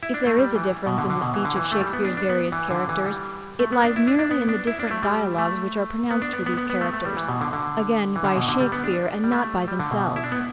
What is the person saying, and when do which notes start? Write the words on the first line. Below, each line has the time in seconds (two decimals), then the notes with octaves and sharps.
If there is a difference in the speech of Shakespeare's various characters, it lies merely in the different dialogs which are pronounced for these characters--again by Shakespeare and not by themselves.
0.03 E4
0.14 D4
0.27 A3
0.39 G3
0.56 E3
0.86 B2
0.98 D3
1.10 D3
1.21 B2
1.34 E3
1.45 D3
1.56 E3
1.72 A3
1.81 G3
1.93 B3
2.05 D4
2.17 D4
2.29 B3
2.52 E3
2.71 D3
2.89 E3
3.06 G3
3.59 A3
3.72 B3
3.84 D4
3.96 E4
4.08 D4
4.19 D4
4.31 B3
4.49 D4
4.67 E4
4.79 D4
4.91 A3
5.03 G3
5.38 A3
6.11 B3
6.22 D4
6.33 B3
6.46 B3
6.57 B3
6.70 B3
6.81 A3
6.94 A3
7.05 G3
7.17 E3
7.29 B2
7.41 D3
7.53 D3
8.16 E3
8.24 D3
8.36 B2
8.48 D3
8.60 G3
8.72 B3
8.84 D4
9.24 G3
9.32 A3
9.68 G3
9.80 D3
9.91 B2
10.16 E4
10.24 D4
10.32 B3